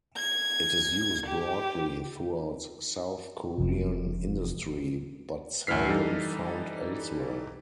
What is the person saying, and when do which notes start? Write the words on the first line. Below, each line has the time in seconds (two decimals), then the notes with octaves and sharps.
It is used broadly throughout South Korean industry, but seldom found elsewhere.
0.17 G#6
1.26 G4
3.58 F1 F2 C3
5.67 A1 D2 E4 F6 B6 C7
5.89 E3 G3 D#4 A4